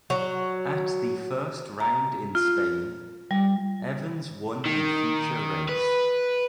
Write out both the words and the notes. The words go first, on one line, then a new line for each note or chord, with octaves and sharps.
At the first round in Spain, Evans won the feature race.
F#3
A#5
F4
G3
D#3
B4